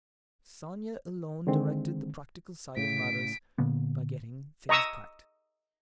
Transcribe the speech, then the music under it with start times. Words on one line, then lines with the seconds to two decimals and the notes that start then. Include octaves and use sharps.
Sonya alone directed the practical side of matters by getting things packed.
1.47 D3 D#3 G#3 C4
2.77 A2 C#3 B6 D7
3.58 A#2 D3 A#3 B3
4.69 D#5 A#5 C#6 D#6 E6